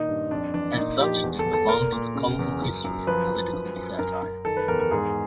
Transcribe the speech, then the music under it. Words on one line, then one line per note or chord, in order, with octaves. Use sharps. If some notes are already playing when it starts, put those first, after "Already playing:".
As such they belong to the colorful history of political satire.
Already playing: A#2 D#3 D#4
G2
F2 D4
E3 D4
A#2 D#4
F3 G4
E2
A4
E2
A4
A#2 A#4
A#2
C#3
E2
F#2
F#2
F3 B4
F3
F#2
F#2
F#2 A#4
F#2
D#3 A4
B4
E2 A#4
A#4
G#2 G#4